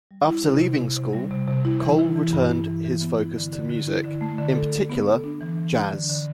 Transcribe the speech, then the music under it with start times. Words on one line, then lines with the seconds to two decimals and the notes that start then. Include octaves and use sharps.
After leaving school, Cole returned his focus to music; in particular, jazz.
0.11 G3
0.28 E4
0.45 C3
0.61 C3
0.79 C3
0.96 C3
1.13 G3
1.31 C3
1.48 C3
1.65 E4
1.81 E3
1.98 E4
2.16 E3
2.33 G2
2.50 E4
2.67 E3
2.85 E3
3.01 B3
3.19 E4
3.36 D3
3.53 D3
3.70 D3
3.87 E4
4.04 D3
4.21 A3
4.39 D3
4.55 A4
4.73 A4
4.90 B3
5.07 A4
5.24 D4
5.41 E3
5.58 E3
5.75 D4
5.92 D3
6.10 D3